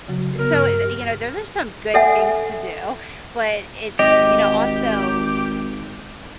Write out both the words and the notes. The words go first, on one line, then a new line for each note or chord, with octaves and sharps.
So, d you know, those are some good things to do, but it's, you know, also,
C#3 F#3 F#4
C#3 B3 A#4
G2 E6
G4
A4 E5 F#5 G#5
G#1 G4 D#5